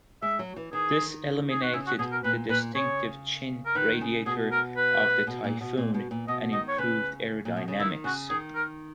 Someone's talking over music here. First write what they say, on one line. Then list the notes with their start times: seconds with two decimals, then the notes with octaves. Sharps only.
This eliminated the distinctive "chin" radiator of the Typhoon and improved aerodynamics.
0.22 G#3 E5
0.39 F#3
0.56 E3
0.73 D#3 G#4
1.51 G#4
1.62 F#4
1.73 C#3 E4
1.87 F#4
1.99 B2 G#4
2.11 A#4
2.24 A#2 B4
2.49 A#2 B4
2.75 C#3 C#5
3.66 A#4
3.75 D#3 B4
4.01 C#3
4.26 B2 G#4
4.51 A#4
4.77 B4
5.27 B2
5.44 A#2
5.61 B2
5.77 A#2
5.94 B2
6.11 A#2
6.28 B2 D#5
6.53 D#3 D#5
6.68 C#5
6.78 C#3 B4
7.45 A#2
7.57 B2
7.68 C#3
7.80 D#3 E4
8.04 C#3 F#4
8.29 D#3 G#4
8.55 A#4